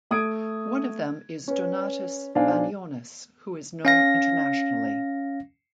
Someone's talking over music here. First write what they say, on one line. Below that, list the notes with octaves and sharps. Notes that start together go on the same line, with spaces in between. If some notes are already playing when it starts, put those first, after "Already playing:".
One of them is Donatas Banionis who is known internationally.
A3 D#6 G#6 D7
C#4 B4
B1 D4 C5 F5 G#5
C#4 F5 A#6